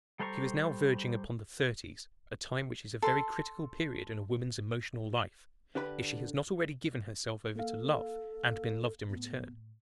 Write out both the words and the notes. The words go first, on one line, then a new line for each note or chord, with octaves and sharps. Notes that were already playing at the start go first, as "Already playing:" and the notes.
She was now verging upon the thirties--a time which is a very critical period in a woman's emotional life, if she has not already given herself over to love and been loved in return.
G3 A4 C5 A#5 C#6
A4 C6
D3 G4 B4 B5
A#3 A4 F5
A2 B3